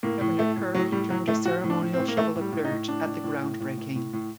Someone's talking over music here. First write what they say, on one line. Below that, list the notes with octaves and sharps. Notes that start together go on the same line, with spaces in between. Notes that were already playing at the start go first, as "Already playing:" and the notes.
Governor Kirk turned a ceremonial shovel of dirt at the groundbreaking.
A2 A#3
A2
A2 A3
A2
A2 F#3
A2 G3
A2 F#3
A2 A3
A2 F#4
A2
D4
A2
C4
A2
A#3
A2 A3
A2
G3
A2
D#4
A2
A2 D4
A2
A2
A2
A2
A2
A2
A2